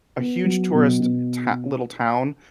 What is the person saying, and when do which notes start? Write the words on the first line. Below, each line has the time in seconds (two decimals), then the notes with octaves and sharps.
a huge tourist, eh, tow little town,
0.18 B3
0.44 F#3
0.72 B2
1.00 B2